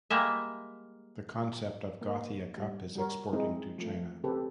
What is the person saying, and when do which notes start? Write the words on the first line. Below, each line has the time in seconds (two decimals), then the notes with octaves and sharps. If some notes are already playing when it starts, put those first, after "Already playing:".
The concept of Gothia Cup is exporting to China.
0.10 G3 G#3 A#3 E5
2.01 A#3
2.58 G3
2.95 G3 F#4 A#4 C#5
3.33 G#3 C4 D#4 E4
3.78 F3 A3
4.24 C#3 C4 G4 A4 B4